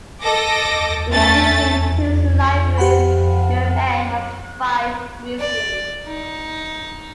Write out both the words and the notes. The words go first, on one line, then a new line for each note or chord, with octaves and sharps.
In addition to its libraries, UvA has five museums.
A4 D#5 D6 A#6
A3 C#4 A6
G4 C5 F#5 G5 B5
D5
D#4